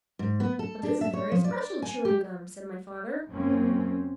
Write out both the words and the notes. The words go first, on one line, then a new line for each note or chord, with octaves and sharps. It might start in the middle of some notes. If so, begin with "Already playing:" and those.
"But this is very special chewing gum," said my father.
G#2
B3
A4
D4
E5
C#5
F3
D5
G#5
G4
F#1 F#2 F#3 A#3 C4 C#4